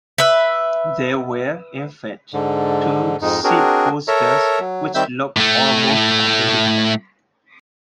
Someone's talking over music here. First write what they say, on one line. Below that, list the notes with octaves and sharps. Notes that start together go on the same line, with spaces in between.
There were, in fact, two "Seed" posters, which look almost identical.
B4 E5
G#2 D3
F2 G#2 G#3 D#4
C4 D4 F#4 G#4 A#4
A4 A#4 C#5 E5 A#5
F#3
D#3 G3 C4 E5 G6
A2 A3